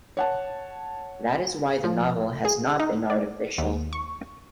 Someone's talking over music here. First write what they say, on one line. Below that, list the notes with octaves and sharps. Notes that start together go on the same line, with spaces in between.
That is why the novel has not been artificial.
C#5 F#5 A5
F3
G#4
D#4
D5
D#2
C#6